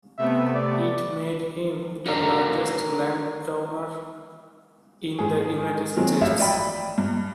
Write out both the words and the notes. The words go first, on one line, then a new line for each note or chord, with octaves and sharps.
It made him the largest landowner in the United States.
C3 A3 B3 E5
D5
D#4 F#4 A#4 C#5 F5 A#5
G#2 G#4
D#3 F#3 G#3 C4
A1 F3 E5 F5
D5 D#5 G5 B5
G2